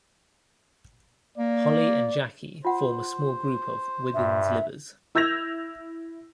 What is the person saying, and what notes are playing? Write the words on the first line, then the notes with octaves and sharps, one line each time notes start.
Holly and Jackie form a small group of "women's libbers".
A#3 D5
F4 C5 F#5
G2 E5
E4 E6 G6 G#6 A#6 F7